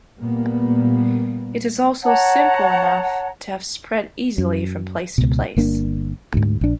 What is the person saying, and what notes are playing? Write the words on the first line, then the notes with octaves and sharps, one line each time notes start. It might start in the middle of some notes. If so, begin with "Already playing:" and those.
It is also simple enough to have spread easily from place to place.
A#2 G3 A#3 B3
C#5 F#5 A5 A#5
F#2
C#2 B2
G1 A#3 D4
D2 G#2
A#1 D4